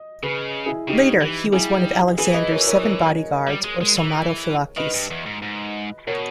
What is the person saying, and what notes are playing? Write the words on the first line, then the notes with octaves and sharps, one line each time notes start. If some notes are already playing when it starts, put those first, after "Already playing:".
Later, he was one of Alexander's seven bodyguards, or somatophylakes.
Already playing: D#5
C#3 G#4 B4
E4 G#4
C#3 D#4 G4
E3
G3 E4 G#4
E3 G#4 B4
B4 D#5
A#4 C#5
A#4 C#5
A#4 C#5
G3
G#3
G#3
E3
D#3 B4 D#5
G2
E2
G#2
G#2
B2 A#4 C#5